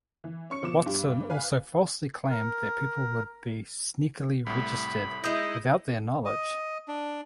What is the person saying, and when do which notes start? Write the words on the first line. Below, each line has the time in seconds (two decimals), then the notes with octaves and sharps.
Watson also falsely claimed that people would be sneakily registered without their knowledge.
0.24 E3
0.50 C#4 C#6 C#7
0.62 B2 F3 D6 E7
0.86 G2 G3
1.30 B4 F5 G#5
2.30 A#4
4.46 C2 A2 B5
5.24 G#3 D#4 E4 D#5 D#6 G6 A#6
6.25 D#5
6.88 D4